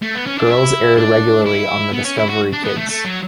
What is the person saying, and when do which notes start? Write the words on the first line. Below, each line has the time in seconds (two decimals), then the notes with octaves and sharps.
Girls aired regularly on the Discovery Kids.
0.03 A3
0.15 B3
0.27 C#4
0.38 D4
0.49 E4
0.97 D4
1.46 E4
1.93 B3
2.05 C#4
2.17 E4
2.29 F#4
2.52 D4
2.64 B3
2.76 A3
2.90 A3
3.04 F#3